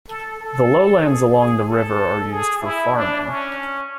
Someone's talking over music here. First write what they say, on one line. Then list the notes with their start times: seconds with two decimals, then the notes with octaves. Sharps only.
The lowlands along the river are used for farming.
0.09 A4
0.41 A4
1.04 G#4
1.36 G#4
1.67 A4
2.30 G#4
2.62 E4
2.93 D4
3.24 C#4